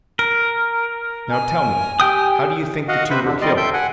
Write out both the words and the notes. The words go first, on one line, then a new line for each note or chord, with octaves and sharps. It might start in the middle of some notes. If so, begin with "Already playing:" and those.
"Now, tell me, how do you think the two were killed?"
A#4
G#5
G4 G5 D#6
F#4 D#5 F5 F#5
C3 B4 C5 E5 B5
E2 B2 D3
F2 G3 D5 D#5 C6
A4 E5 G5 C6 G6
F#5 G#5